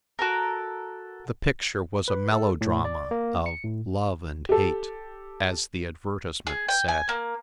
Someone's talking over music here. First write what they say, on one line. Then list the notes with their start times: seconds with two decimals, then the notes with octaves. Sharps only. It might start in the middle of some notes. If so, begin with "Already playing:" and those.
The picture was a melodrama of "love and hate," as the advertisement said.
0.19 F#4 A4 A#4
2.08 B4
2.32 A4
2.61 A2
2.85 D5
3.11 A#3
3.46 C#7
3.63 A2
4.49 G4 A4
6.47 G#4
6.69 G5
6.88 G#5
7.09 A#3